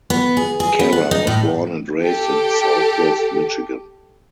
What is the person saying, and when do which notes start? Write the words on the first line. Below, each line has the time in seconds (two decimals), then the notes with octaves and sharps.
Carra was born and raised in Southwest Michigan.
0.10 B3
0.37 G#4
0.60 G#4
0.79 B3
0.93 F#5
1.11 D#4
1.27 A2
2.03 G4 A4